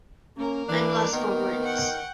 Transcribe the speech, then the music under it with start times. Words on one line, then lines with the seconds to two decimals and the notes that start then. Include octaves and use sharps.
I'm lost for words.
0.37 A#3 C#4 A#4
0.68 E3 D4
1.13 D#3 B3
1.64 F#5 G5 C#6